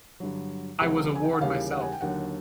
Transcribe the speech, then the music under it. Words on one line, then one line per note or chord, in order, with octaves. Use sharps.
I was a ward myself.
G2 D3 F#3
C#2 C3 F3 G#3 F#5
G#5
G5
F#5
D#2 C#3 E3 G3 F5
F#5
G#5
G5
D#2 D3 F#3 F#5